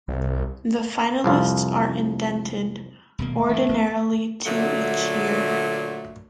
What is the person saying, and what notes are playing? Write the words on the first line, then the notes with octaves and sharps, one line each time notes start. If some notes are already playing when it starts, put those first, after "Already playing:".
The finalists are indented, ordinarily two each year.
C2
C2 F2 F4
D#1 B2 A#3
A3
G2 E3
A1 B3 C4
A#2 D3 F#3 A3